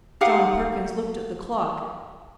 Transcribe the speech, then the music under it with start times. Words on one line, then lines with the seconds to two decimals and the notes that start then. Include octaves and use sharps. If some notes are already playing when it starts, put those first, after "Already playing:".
John Perkins looked at the clock.
0.21 D#4 G4 F5 F#5